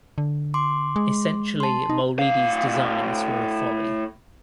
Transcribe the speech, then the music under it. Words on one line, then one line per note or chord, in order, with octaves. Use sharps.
Essentially Mulready's designs were a folly.
D3
C6 D6
G#3
A5 C6
D#4
A2 F5